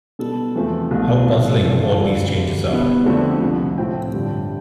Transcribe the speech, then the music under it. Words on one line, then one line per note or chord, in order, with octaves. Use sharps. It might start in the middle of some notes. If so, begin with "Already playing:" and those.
How puzzling all these changes are!
B2 G3 B3 A4
E2 C3 F3 A3 C4
C2 B2 A3 F4
C2 C3 F3
E2 D3 A3 C4 F4
G4
A4
B4
D2 D3 G3 C4 D5
D2 D3 G3 F5
B2 G3 B3
F2 D3 F3 A3 C4
C2 C3 F3
A2 F3 C4 G5
G2 D3 G3